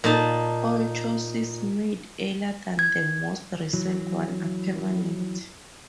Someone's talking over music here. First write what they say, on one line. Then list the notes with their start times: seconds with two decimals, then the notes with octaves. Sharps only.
All choices made earlier than the most recent one are permanent.
0.04 A#2 D#4 A5
2.79 G#6
3.73 E3 F#3